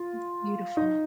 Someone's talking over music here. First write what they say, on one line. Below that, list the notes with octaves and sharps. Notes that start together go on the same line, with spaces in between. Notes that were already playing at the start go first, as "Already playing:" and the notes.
It's beautiful.
Already playing: F4
D#4